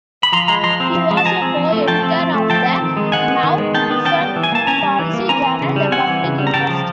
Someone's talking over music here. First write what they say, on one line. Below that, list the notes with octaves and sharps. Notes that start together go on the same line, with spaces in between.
He was a co-editor of the now-defunct policy journal "The Public Interest".
B5
F3 A#5 C6
G#3 A#5 C6
F3 A#5 C6
C4
F3
G#3
A5
F3 G#5 A#5
C4
F3
A3
F3 G5 A5
C4
F3
A3
F3 G5 A5
C4
D#3
G#3
D#3 F#5 G#5
B3
D#3
G#3
D#3 G5 A5
B3
C#4 G5 A5
G3
E3
G#5
A#3 A5
C#4 G#5 A#5
G3
E3
A#3
C4 G#5 A#5
E3
C#3
G3
C4 F#5 G#5
E3
C#3
G3
A#5
C#3 G5 A5
F3